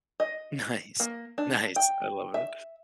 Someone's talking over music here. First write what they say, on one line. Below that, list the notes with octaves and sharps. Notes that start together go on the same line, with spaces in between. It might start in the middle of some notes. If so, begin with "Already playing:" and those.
Nice, nice, I love it.
D#5
A#3
D4
G5
E5